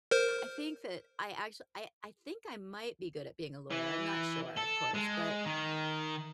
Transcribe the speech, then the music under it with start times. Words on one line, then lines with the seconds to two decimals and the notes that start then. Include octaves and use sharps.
I think that I actua I I think I might be good at being a lawyer, I'm not sure, of course, but
0.11 A#4 C5
3.71 E3
4.58 A4
4.95 G#3
5.46 D#3